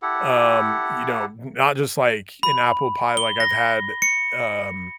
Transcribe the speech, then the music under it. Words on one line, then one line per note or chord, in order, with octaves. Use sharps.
um, you know, not just like an apple pie, like, I've had, um,
E4 G4 A4 F#5
B5
G7
A#6
C#7